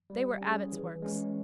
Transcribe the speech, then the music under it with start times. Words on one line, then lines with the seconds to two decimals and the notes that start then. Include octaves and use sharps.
They were Abbot's works.
0.10 G3
0.41 C#4 G#4
0.72 E3
1.02 G#3 C#4